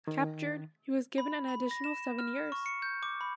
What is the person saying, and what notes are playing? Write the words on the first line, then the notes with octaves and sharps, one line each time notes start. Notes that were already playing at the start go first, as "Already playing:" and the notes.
Captured, he was given an additional seven years.
D#3
B5
B5
A#6
E7
F6
C#6
C#7
G6
D6
B5